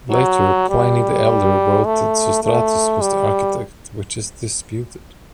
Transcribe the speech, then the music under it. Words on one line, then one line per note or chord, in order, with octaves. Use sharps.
Later Pliny the Elder wrote that Sostratus was the architect, which is disputed.
F#3
G3
A3
A3
G3